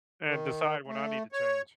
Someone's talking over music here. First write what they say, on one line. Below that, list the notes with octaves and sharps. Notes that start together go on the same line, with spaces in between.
and decide when I need to change.
D#3
A3
C#5